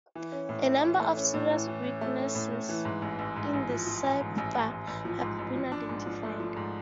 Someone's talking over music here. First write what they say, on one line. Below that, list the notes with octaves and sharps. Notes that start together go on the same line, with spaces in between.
A number of serious weaknesses in the cipher have been identified.
E3
C#4
A2
A3
E3
A3
C#4
A2
E3
E3
C#4
A3
C#4
A2
A2
E3
G#2
A1
A1
G#2
A1
F3
F3
A1
G#2
A1
A1
A1
A1
F3
G#2
A1
F3
D4
G#2
F3
A3
F3
G#2